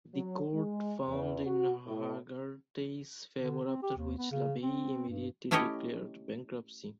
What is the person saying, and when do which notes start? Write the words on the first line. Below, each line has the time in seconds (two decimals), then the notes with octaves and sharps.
The court found in Hegarty's favour, after which LaVey immediately declared bankruptcy.
0.14 F#3
0.53 G#3
1.08 E2
1.45 F#4
1.86 A2
3.40 D3
3.66 C4
3.83 G4
3.97 D#2
4.18 B3
4.31 C#3
4.63 C4
5.09 G2
5.51 A3 C#4 E4 G4 C#5 D#5